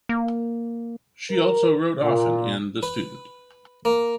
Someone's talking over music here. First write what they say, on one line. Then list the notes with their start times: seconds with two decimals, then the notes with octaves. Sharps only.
She also wrote often in ‘The Student’.
0.09 A#3
1.31 A#4
2.02 A#2
2.83 B4
3.85 A#3